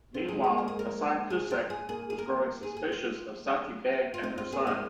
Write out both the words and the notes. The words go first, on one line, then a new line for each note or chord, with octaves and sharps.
Meanwhile, Hasan Kucek was growing suspicious of Sati Beg and her son.
C4 F4
G#3 G#4
G#4
A#3
A#4
G#4
A#4
G#4
F4
G#4
A#3 G#4
G#4
A#4
G#4
G#4
F4
F4
C4 D#4
F4
A#3 G#4
C4
G#3 A#3